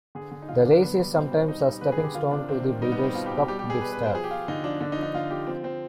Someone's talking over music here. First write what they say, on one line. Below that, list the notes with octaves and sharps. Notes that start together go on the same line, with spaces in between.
The race is sometimes a stepping stone to the Breeders' Cup Distaff.
D3 G#4
D3
D#4
D3 F4
D3 D4
B2 B3
G3
B2 C4
B2 C4
G3 D#4
G3
D3 B4
G#4
D3
G4
D#3 F4
C3 D4
C3 C4
D#3
G3 D#4
B3
G3
C4
B2 F4
G4
B2
G4
G3 G4
B2 G4
G#4
G3 B4
B4
B2
C5
F3 G#4
G4
F3 F4
D3 D#4
F3 D4
D3 D4
D#4
F3
D#4
D3 F4
F3 G4
F3 C4
F3 C4